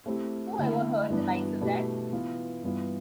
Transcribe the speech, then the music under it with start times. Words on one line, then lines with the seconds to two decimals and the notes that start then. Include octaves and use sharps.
Who ever heard the likes of that?
0.06 A3 C4 E4 G4
0.58 D3 A3 E4
1.09 G2 E3 B3 D4
1.60 B2 A3 E4 G4 B4
2.12 E3 B3 F4
2.63 G2 E3 B3 F4